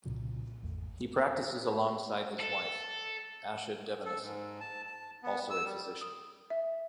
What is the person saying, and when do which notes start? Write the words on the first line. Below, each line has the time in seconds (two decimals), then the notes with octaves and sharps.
He practices alongside his wife, Asha Devanesen, also a physician.
0.05 C2 A#2 C#3 F3
0.63 G#1 E2 A3
2.40 A4
4.05 A4
4.22 G#2
4.60 A5
4.86 A5
5.23 B3
5.50 E6
5.65 G3
6.01 D#6
6.50 E5